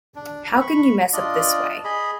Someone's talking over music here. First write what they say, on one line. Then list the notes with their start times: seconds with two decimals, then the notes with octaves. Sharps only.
How can you mess up this way?
0.16 D4
0.61 B5 C#6
1.13 D4 F4 D5 D#5
1.84 G#4 D#5 B5